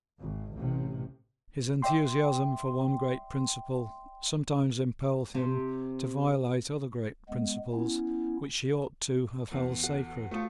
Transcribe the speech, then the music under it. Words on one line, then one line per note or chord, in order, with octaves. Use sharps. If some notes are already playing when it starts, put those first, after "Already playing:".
His enthusiasm for one great principle sometimes impelled him to violate other great principles which he ought to have held sacred.
G#1
A1 C3
D5 E5 G5 C6
C3
G#3 B3
B3 C#4 E4
E2
F#4 A4 F#5
A3 F4 F#4 A4 D#6